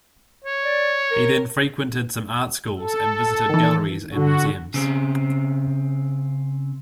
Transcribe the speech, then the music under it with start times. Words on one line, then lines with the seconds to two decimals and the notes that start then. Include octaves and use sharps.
He then frequented some art schools, and visited galleries and museums.
0.44 C#5
0.64 D5
1.11 A#4
2.79 A4
3.49 D#3 E3
4.13 D3 F#4
4.74 C#3 C4